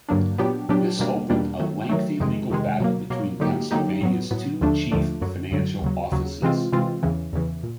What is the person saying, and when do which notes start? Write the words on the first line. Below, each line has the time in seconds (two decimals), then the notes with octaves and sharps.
This opened a lengthy legal battle between Pennsylvania's two chief financial offices.
0.09 G2 D3 F#3 A#3 D4
0.38 A#2 F#3 B3 D4 G4
0.69 A#2 F#3 B3 D4 G4
0.99 E2 B2 G3 A#3 D4
1.30 E2 B2 G3 A#3 D4
1.59 D#3 F#3 A3
1.89 D#3 F#3 A3
2.20 F2 C3 D#3 G#3
2.50 F2 C3 D#3 G#3
2.80 B2 F#3 A#3
3.10 B2 F#3 A#3
3.40 D3 F#3 A#3 D#4 G4
3.71 D3 F#3 A#3 D#4 G4
4.01 A2 F#3 B3
4.31 A2 F#3 B3
4.61 D#2 D3 F3 A3 D4
4.91 D#2 D3 F3 A3 D4
5.21 F#2 D3 F#3
5.52 F#2 D3 F#3
5.82 D#2 C#3 F#3
6.12 D#2 C#3 F#3
6.42 C3 E3 G#3 C4 F4
6.72 C3 E3 G#3 C4 F4
7.03 E2 C#3 E3
7.33 E2 C#3 E3
7.63 A#2